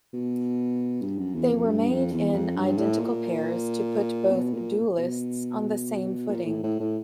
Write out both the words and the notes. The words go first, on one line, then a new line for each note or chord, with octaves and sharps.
They were made in identical pairs to put both duellists on the same footing.
B2
G2
F#2
E2
F2
G2
F2
E2
F2
G2
A2
A#2
B2
A#2
B2
A#2
A2
A2
A2